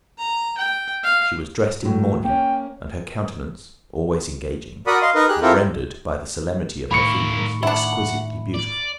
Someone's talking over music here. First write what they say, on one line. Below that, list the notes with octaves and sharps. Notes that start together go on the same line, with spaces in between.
She was dressed in mourning, and her countenance, always engaging, was rendered, by the solemnity of her feelings, exquisitely beautiful.
A#5
G5
F5
A2 F#3
A#3 C#4 G5
F#4 A#4 D5 F#5 B5 D#6
D#5 F5 C6
D#4 A#4 B4 D#5
G4 G#4 F#6
C4 E4 F4 G4 A4 A#4
A2 D#3 A#3 E4 B5 C#6 C#7
D4 E4 F#5
D5